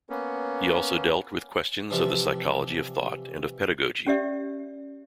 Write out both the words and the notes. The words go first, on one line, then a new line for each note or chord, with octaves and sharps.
He also dealt with questions of the psychology of thought and of pedagogy.
A#3 B3 C#4
C3 E3 F3 G3
C#4 G4 D5 E5